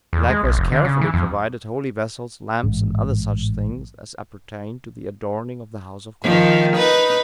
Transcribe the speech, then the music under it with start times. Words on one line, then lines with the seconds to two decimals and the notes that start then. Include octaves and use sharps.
He likewise carefully provided holy vessels, lamps, and other such things as appertain to the adorning of the house of God.
0.13 E2
0.30 G#3
0.44 B1
0.57 F1
0.72 D3
0.84 C#3
1.01 E3
1.14 F2
2.63 A1 G#2
6.23 D#3 F3
6.76 D#4 B4